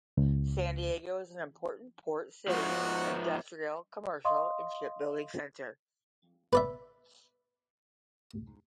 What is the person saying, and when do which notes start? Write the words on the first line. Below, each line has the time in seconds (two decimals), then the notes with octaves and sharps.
San Diego is an important port city, industrial, commercial, and shipbuilding center.
0.17 C#2
2.48 G#2 F3 F#4 F#5
4.25 D#5 F5 C6 C#6 D#6
6.53 B4 D5 E5